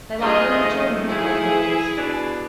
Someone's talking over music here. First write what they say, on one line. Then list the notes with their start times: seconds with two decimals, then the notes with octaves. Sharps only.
They like only children for playfellows.
0.21 G3 D4 F4 G#4 D#5
0.52 D#3 F3 A3
1.08 E4 G#4
1.98 B2 D4